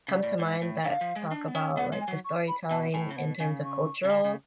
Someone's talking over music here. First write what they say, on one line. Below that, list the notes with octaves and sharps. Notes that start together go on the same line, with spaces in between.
come to mind that talk about, like, the storytelling in terms of cultural
C#3
D5
A2
G#2
A2
D3 F5
F3
G#3
D4
B3
C#4
B3 F#5
G#3
G#5
F#3
C#6
B5
B2 A5
A2 G#5
C#3
B2 F#5
C#3 G#5
C#6
C#3
D3
C#3